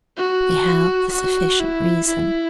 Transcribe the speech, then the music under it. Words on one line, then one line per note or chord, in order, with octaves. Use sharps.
We have the sufficient reason.
F#4
F#4
E4
E4